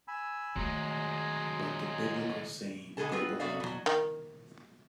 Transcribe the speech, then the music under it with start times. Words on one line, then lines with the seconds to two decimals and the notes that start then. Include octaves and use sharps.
But the Biblical saying Go alone!
0.08 G#5 B5 E6
0.56 D#3 F#3 G#3 A3 G#4 A#5 C6
2.97 B2 D3 G#3 G#4 A4 A5
3.12 B3 C4 F4 G#4 B4
3.40 C3 B3 F#4 A4 D5 F5
3.60 B2 F#3
3.86 D#3